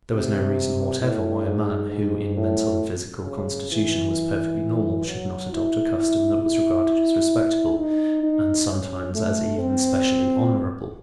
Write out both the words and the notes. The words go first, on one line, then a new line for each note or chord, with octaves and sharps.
There was no reason whatever why a man, who in mental and physical constitution was perfectly normal, should not adopt a custom that was regarded as respectable, and sometimes as even specially honorable.
C3
A2
G#2
G#2
A2
C#3
E3
F#3
E4
E4
E4
D#4
D#4
C#4
A3
C4